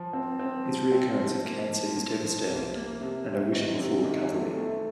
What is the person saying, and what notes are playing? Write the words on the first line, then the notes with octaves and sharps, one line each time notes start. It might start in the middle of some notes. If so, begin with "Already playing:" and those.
His reoccurrence of cancer is devastating and I wish him a full recovery.
Already playing: F3
C4
C4
F3
C4
F3
A#3
F3
A#3
F3
C2
A#3
C3
C3
D#3
C3
D#3
A3
A3